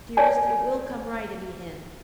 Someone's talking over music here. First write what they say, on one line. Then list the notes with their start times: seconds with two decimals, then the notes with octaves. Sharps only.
Dearest, it will come right in the end.
0.17 C#5 D5 G#5 A5